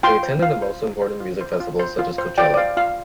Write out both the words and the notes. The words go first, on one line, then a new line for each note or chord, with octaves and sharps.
They attended the most important music festivals such as Coachella.
F4 G5 C6
C5
F4 F5
C5
F4
C5
F4
C5
F4
C5
F4
C5
F4 D5 G5
D5
C5 F5
F4 F5